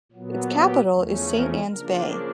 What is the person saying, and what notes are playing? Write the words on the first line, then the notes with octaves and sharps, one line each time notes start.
Its capital is Saint Ann's Bay.
A#2 F#3 B3
G4
E2 C#3 F3 A3 C#4
A#4
C#3 F3 A#3 D4 A#4